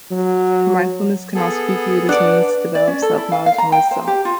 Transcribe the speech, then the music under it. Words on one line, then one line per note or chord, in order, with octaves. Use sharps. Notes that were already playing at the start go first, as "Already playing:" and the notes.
Mindfulness can also be viewed as a means to develop self-knowledge and wisdom.
F#3
B3 G#4 A4
D4 B4 D5 F#5
D5
C#4
A4
E4
F5
F5
A#5
G5
C5
G4
F4